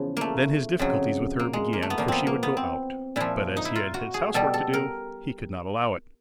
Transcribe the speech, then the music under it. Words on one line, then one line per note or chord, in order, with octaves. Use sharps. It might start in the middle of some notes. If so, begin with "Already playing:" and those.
Then his difficulties with her began for she would go out, but as he had his housework to do, he could not allow it.
Already playing: E2 C#3 F3
A3 A#3
F2 C#3 F#3
A#3
G#3
A#3
A3
B3
A#2 F3 A#3
B3 C4
A#3
B3
C4
A#2 F3 E4
D#4
E4
F4
F#4
G#4
B2 G3 A4
A4
A#4